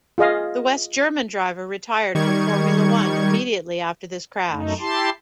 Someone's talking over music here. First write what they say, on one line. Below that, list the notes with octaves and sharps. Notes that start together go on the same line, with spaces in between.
The West German driver retired from Formula One immediately after this crash.
F4 G#4 D#5 F5
D#3 G3 C#6 G#6
F#2 A3 D#4
E4 G4 A5 C6